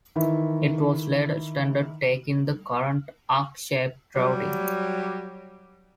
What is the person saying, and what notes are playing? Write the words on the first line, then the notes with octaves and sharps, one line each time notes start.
It was later extended, taking the current arc-shaped routing.
D#3 E3 E4
F#3 G3